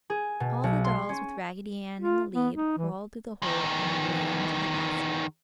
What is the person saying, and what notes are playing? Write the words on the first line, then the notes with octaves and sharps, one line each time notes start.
All the dolls, with Raggedy Ann in the lead, crawled through the hole and ran to the basket.
G#4
B2
B1
C6
C#4
F4
B3
D#4
E3
E2 D#3